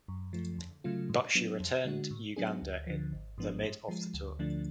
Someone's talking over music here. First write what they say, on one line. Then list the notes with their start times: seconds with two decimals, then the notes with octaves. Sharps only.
But she returned Uganda in the mid of the tour.
0.08 F#2
0.33 F3 A3
0.58 F2
0.84 C#3 F#3 A3 F4
1.09 G#2
1.35 F#3 B3 D4
1.60 F2
1.85 D3 G#3 D4 F#4
2.11 A2
2.36 F#3 B3 D4 G#4
2.62 D2
2.87 D3 F3
3.12 G#1
3.38 G#2 F3 B3 D4
3.63 G#2
3.88 F3 G#3
4.14 D2
4.39 D3 F3 A3 D4